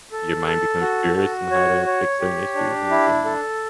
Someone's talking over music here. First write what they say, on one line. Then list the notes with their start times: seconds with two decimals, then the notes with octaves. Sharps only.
your mind becomes curious on how to fix certain issues and then
0.12 A4
0.47 A4
0.81 F#4
1.16 F#4
1.51 C#5
1.86 C#5
2.20 G4
2.55 D4
2.90 E4
3.25 A4